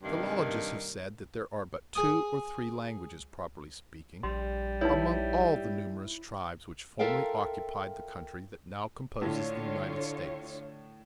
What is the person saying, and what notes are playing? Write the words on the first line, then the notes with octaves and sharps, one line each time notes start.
Philologists have said that there are but two or three languages, properly speaking, among all the numerous tribes which formerly occupied the country that now composes the United States.
G2 C3 D#3 A#3
G#4 D#6
A#1 G3 C6
D#4 E4 B4 C#5
F4 A4 A#4 E5 F5 G5
A2 D3 F4 C#5